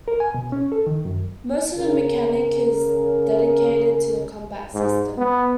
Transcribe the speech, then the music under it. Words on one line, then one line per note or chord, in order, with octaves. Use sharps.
Most of the mechanic is dedicated to the combat system.
A#4
G#5
B2
C#4
A4
D#3
F#2
C#3 A#4
G#2
B3